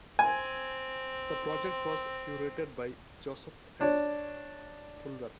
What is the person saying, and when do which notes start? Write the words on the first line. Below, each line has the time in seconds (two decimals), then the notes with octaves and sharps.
The project was curated by Joseph S. Pulver.
0.19 C4 G#5
3.81 D4 C#5